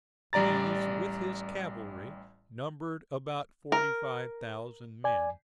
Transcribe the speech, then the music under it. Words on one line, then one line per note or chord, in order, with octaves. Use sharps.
These, with his cavalry, numbered about forty-five thousand men.
A1 G3 D5 A#5 A6
A#4
D5 G#5